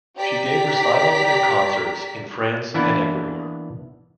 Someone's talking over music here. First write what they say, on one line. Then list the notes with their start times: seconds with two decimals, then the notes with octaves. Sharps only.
She gave recitals and concerts in France and Ecuador.
0.17 G4 D5 A#5 B6
2.74 E3 A#3 B3 D4 E4